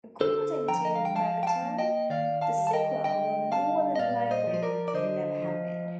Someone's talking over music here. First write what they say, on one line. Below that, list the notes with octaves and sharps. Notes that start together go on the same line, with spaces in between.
According to Megaton, the sequel will more than likely never happen.
D3 A4 C5
F3 G5 A#5
D#5
F5
G5
F3 F5 A5
G5
F5 A5
A#3
D#5 G5
D#3 D5 F5
F5 A5
G3
A5
D#5 G5
D3 D#5 G5
G3 F5 A5
D#5
A#2 D5 F5
C5 D#5
F3
C5
A#4 D5
D5
D3 C5 D#5
F3